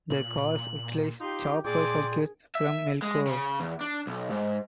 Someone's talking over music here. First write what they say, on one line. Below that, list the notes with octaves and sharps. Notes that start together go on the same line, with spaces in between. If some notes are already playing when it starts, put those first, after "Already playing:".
The cars utilized chopper circuits from Melco.
A#2 F#7
D#4 F4 G4 C6
A#2 G#4 D5 G5 C6 D6
E5
G#3
C#3
E2
D4
B1
G#2